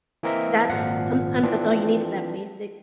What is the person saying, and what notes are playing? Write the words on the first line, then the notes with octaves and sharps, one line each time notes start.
that's sometimes that's all you need is that basic
E3 A#3 C4 A#4 D#5 E5
G#1 A#2 F3 F5 F#5
E3 F3 C4 D4